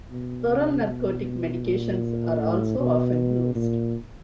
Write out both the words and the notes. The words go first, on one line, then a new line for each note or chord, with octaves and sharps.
Oral narcotic medications are also often used.
B2
C3
B2
A#2
A2
B2
A#2